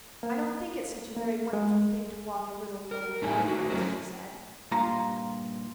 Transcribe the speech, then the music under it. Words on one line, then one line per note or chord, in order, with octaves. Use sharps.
"I don't think it's such a very wonderful thing to walk a little, low, board fence," she said.
A#3
A#3
G#3
A#4
A2 D#4 E4 A#4 G#5
A3 F#4
F#3 A3 C#4 E4 A#4 C5
G2 A#2 F4 A#5